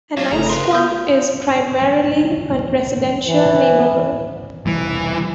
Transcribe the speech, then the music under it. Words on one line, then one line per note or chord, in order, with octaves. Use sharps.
Annisquam is primarily a residential neighborhood.
A#2 F#3 C#5 F5
G1 C#3 A3 A#5
A#4 B4 C6
F3 A3 B3 D#6 G6
E3
E1 C2 E3 G3